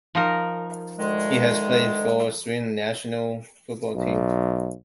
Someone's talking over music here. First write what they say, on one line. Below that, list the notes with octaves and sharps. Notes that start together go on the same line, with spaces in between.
He has played for the Sweden national football team.
F3 D#4 A#4
D2 D#3 G#3
B1